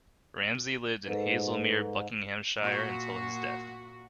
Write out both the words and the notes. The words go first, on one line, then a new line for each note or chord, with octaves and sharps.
Ramsay lived in Hazlemere, Buckinghamshire until his death.
G#2 A4 B4
A#2 F#4